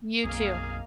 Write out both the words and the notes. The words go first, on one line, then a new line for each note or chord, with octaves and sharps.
You too.
B1 F#2 A#3 C4 G#4 D#5 F5